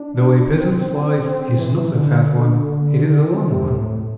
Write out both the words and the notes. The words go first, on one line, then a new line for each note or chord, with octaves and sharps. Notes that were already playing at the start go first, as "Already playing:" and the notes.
Though a peasant's life is not a fat one, it is a long one.
Already playing: D4
C4
C4
C4
E3
D3
C3
A2